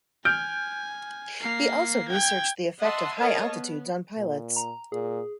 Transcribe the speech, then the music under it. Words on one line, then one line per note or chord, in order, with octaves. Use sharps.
He also researched the effect of high altitudes on pilots.
G#5 F6 G6 D7
A#3 C7
G5 G#6
D#5 E5 F#5 A5 C6
A#4 C#5 D#5 F5 A5
B3
A#2
A#5
A#2 G#4